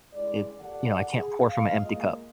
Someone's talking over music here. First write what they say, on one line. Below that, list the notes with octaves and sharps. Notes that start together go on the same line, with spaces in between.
it, you know I can't pour from a empty cup.
G2 C#3 G#3 E4 D5
A#2 G4 A4 D5 F#5
G#4
F5
G#3 A#3 F4 D#5